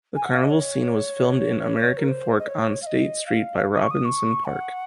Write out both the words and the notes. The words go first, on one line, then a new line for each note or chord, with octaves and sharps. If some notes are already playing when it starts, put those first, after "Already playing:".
The carnival scene was filmed in American Fork on State Street by Robinson Park.
G#5
F#5
F5
D#5
C#5
A#4
C5
D#5
C#5
F5
D#5
F5
D#6
C#6
D#6
C#6
F#5